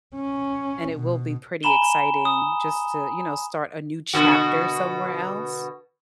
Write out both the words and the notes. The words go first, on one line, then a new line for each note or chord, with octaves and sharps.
and it will be pretty exciting just to, you know, start a new chapter somewhere else.
C#4
B2
G#5 A#5 B5 E7 G7
D#6
B2 D3 F#4